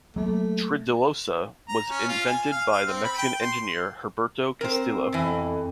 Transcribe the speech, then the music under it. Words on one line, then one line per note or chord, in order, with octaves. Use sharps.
Tridilosa was invented by the Mexican engineer Heberto Castillo.
F#3 A3 A#3
A#5
C#4
F4
G#5
F5
F5
C4
B5
G5
C6
C4 A#4 C5
F2 B2 E3